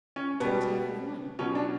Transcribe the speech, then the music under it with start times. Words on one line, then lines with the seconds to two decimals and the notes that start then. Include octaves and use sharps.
"The twenty I have won."
0.16 C#4
0.40 B2 G3 B3
1.39 B2 F#3 C#4
1.55 D4